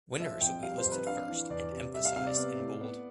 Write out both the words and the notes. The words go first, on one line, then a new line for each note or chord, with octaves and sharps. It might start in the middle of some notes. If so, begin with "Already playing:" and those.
Winners will be listed first and emphasized in bold.
F3 E5
F2 G5
G3 F5
C5
F2
B4
D4 F5
E3
E2 D5
C3
G3 E5
F5
C3 F5
D5
B3
A2
B3